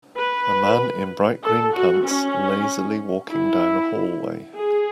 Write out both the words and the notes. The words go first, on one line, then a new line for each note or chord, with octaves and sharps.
A man in bright green pants lazily walking down a hallway.
B4
A4
F#4
C#4
E4
G#4